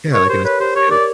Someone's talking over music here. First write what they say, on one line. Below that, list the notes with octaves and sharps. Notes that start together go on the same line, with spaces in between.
Yeah. Like an associate.
A#4 C#5
G4 C5
B4 C#5
G4 C5
G4 C#5
A#4 D5